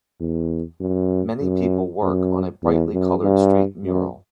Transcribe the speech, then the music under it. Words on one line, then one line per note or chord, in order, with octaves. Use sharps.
Many people work on a brightlycolored street mural.
E2
F#2
F#2
F#2
E2
F#2
G2
F#2